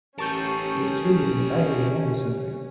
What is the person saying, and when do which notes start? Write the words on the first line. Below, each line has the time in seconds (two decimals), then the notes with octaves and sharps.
This tree is entirely endocentric.
0.19 A1 C#4 G4 A#4 A5 C#6 G6
1.59 C3